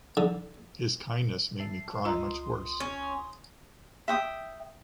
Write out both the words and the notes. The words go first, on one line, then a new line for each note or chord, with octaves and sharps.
His kindness made me cry much worse.
D3
E5 A5 C7
C#2 F4 D#5 A#5 C6 D#6
C#4
E5 G5 D#6